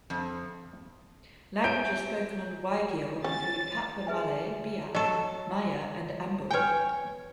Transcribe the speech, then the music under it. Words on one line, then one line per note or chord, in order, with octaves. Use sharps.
Languages spoken on Waigeo include Papuan Malay, Biak, Ma'ya, and Ambel.
F2
C#5 E5 G#5 G6 D7
C#4 A6
G#4 B4 E5 G#5
F#3 A4 D#5 C#6
B4 C#5 G5 G#5